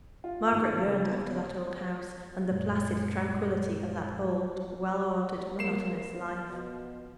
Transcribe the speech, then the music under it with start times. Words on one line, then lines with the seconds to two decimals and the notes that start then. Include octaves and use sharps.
Margaret yearned after that old house, and the placid tranquillity of that old well-ordered, monotonous life.
0.24 F4
0.52 G#1
0.85 C#3
1.07 B3
2.52 F#2 A#2 G#3
5.59 A#3 C7 E7
6.48 B2